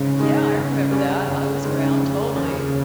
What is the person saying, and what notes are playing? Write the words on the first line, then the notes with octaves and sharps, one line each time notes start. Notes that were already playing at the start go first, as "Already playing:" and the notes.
Yeah, I remember that, I was around, totally.
Already playing: G#2 C#3
D#3 G#3 D#4
G1
G2 G3 C#4
G1
G2 D#3 G#3 C#4
F1
D#2 C#3 F3 A#3